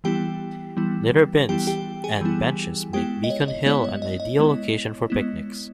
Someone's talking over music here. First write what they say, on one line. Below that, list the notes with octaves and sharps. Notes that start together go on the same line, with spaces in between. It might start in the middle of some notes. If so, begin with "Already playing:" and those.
Litter bins and benches make Beacon Hill an ideal location for picnics.
E3 G3 B3 E4 G4 G5
E3 G3 B3 E4
E3 G3 B3 E4 G4 G5
G4 G5
G#4 G#5
E3 G3 B3 E4
G#3 B3 E4 G4 G5
D#5
C#5
D#5
G#3 B3 E4 C#5
C#5
D#5
D#5
G#3 B3 E4
G#3 B3 E4